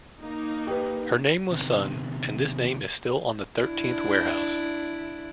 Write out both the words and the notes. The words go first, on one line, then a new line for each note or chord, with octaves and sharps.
Her name was Sun and this name is still on the thirteenth warehouse.
A#3 D#4
G4 B4
C3 D#3 B3
D4 E4